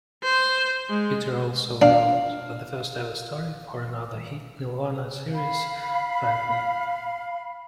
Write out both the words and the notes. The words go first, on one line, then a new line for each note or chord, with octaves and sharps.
Peter also wrote the first ever story for another hit Nelvana series, "Franklin".
C5
G#3
D4 F5
F5 B5